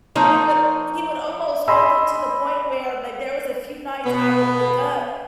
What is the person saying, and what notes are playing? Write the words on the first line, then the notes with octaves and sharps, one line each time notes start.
He would he would almost hold it to the point where like, there was a few nights I would wake up,
F3 A#3 D#4 C#5 A#5
D#5 G#5 B5 C6 E6
B2 B3